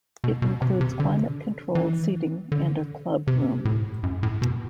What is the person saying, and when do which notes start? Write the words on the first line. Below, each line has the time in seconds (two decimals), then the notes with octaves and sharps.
It includes climate-controlled seating and a club room.
0.24 B2
0.42 B2
0.62 C3
0.81 C3
1.00 D3
1.75 E3
2.52 D3
3.27 C3
3.65 A2
4.03 F#2
4.23 A2
4.42 B2